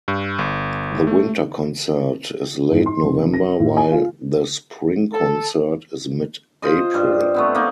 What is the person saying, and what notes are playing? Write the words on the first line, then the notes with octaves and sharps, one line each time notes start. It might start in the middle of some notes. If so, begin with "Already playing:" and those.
The winter concert is late November, while the spring concert is mid-April.
G2
G1
A3
G#2
C6
F1
A#6
A2
G#5
F4
A4
F4 C5 D#5
G2
A3 B3 C4
A#3 D#4